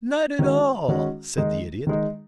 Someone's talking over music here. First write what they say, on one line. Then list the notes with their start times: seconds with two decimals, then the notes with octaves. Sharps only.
"Not at all," said the Idiot.
0.39 D#3 G#3 C#4 F#4
0.88 D#3 G#3 C#4 F#4
1.38 D#3 G#3 D#4
1.87 D#3 G#3 D#4